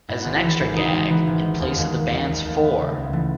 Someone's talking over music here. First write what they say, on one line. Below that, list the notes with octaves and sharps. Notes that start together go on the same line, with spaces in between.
As an extra gag, in place of the band's Fore!
G#2 E4
G#1 F#4
E4
E3
G#1
G#2 D#4
G#1
E3 B3
G#1
D#3
D#2
D#2 G#3
D#3
D#3
D#2
D#2 A3
D#3 B3
C#3 A3
A3
C#2
G#3
E3 A3